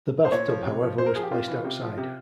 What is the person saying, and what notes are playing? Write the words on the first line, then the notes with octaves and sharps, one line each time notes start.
The bath tub however was placed outside.
C5
A#2 C#5
F3
C3
F3
A#2 C5
A#4
F3 G#4
G4
C3 F4
E3
C3
F3
C3